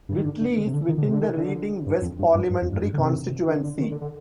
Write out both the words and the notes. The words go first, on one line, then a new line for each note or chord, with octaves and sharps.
Whitley is within the Reading West parliamentary constituency.
G2
D#3
D3
D3
D3
C3
D3
D#3
D3
C3
D3
D#3
D3
G2
F2
G2
G2
G2
F2
G2
G2
D3
C3
D3
D3
D#3
D3
D3